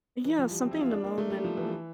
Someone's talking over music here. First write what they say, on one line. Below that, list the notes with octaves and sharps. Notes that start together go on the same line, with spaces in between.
yeah, something in the moment
E3
F3
G3
C4
E4
F4
D4
A#3
A3
G3
F3
E3